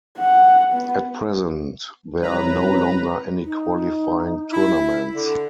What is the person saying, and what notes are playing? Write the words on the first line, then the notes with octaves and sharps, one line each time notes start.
At present, there are no longer any qualifying tournaments.
F#5
B3
C2 B4 C#5 A#5
D#4
E4
D3